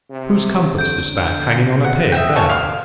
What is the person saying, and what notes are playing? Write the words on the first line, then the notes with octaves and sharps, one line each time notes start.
Whose compass is that hanging on a peg there?
C3
D3 G6 D7
C#4
F#5
D#5 E5 F#5 G5
A4 C5 C#5 G#5
F5 C6